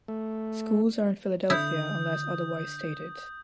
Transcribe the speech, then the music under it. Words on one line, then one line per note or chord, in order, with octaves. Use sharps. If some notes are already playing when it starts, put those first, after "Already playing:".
Schools are in Philadelphia unless otherwise stated.
A3
D3 E4 D#6 G6